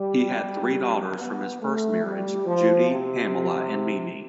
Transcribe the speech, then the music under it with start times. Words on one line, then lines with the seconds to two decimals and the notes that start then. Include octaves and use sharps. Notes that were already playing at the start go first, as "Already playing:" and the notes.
He had three daughters from his first marriage: Judy, Pamela, and Mimi.
Already playing: G3
1.19 B3
1.61 A3
2.04 G3
2.46 F3
2.89 C3